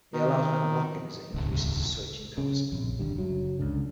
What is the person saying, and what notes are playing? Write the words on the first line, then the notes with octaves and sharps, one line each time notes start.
It allows vendor lock-in as it increases the switching cost.
D#3
D#1 G#1 C#2
C#3
A#1 F2
D#1 D3 G3
F#1 F#3
C#2 D3